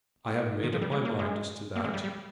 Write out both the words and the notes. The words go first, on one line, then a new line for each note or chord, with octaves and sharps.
I have made up my mind as to that.
D#3
F3
G3
G#3
A#3
G#3
A#3
G#3
G3
G3